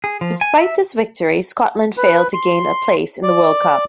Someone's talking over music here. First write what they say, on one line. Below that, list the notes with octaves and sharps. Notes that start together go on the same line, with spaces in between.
Despite this victory, Scotland failed to gain a place in the World Cup.
G#4
F3
G#5
E5
B4
C6
D5